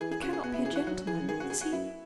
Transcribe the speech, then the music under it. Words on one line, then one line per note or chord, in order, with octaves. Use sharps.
He cannot be a gentleman--is he?'
E3 G#4
G#4
C#3 F#4
G#4
B2 F#4
C#3 E4
G#4
E3 F#4
F#3 F#4
E3 G#4
C#3
D#3 G#4
C#3 F#4
G#4
F#4
F#2 E4